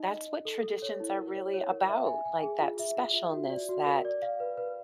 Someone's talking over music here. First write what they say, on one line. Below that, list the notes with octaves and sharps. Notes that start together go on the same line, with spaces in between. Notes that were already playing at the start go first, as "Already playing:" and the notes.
that's what traditions are really about, like that specialness, that
Already playing: D#4 D#5
D#5
D#5
A4
A4
C#5
E4
A#4
C#5
C#5
A#4
E5
G#5
G#5
G#4
F4
E5
F4
E5
F#4
D5
F#4
A#4
D5
F5
B4
B4